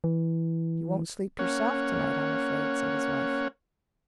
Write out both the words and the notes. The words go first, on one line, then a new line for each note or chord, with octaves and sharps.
"You won't sleep yourself to-night, I'm afraid," said his wife.
E3
A#3 C#4 C#5 F#5